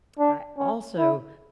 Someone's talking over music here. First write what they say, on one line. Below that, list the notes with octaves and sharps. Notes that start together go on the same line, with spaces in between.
I also
D4
C#4
E4